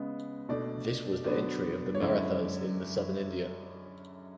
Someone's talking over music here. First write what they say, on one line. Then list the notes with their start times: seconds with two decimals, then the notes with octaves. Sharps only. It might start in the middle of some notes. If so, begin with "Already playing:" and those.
This was the entry of the Marathas in the Southern India.
Already playing: C#3 G#3 B3
0.49 B2 A3 D4 D5
1.24 D3 F#3 B3 D4 D5
1.95 C#5
2.00 F#2 D3 G#3 C#4 E4 D5